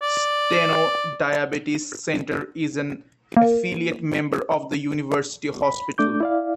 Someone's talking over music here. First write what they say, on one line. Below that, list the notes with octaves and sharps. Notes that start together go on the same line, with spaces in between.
Steno Diabetes Center is an affiliate member of the University Hospital.
D5
A#3
B5
A3 D4 D6 G6
E4 D5 F5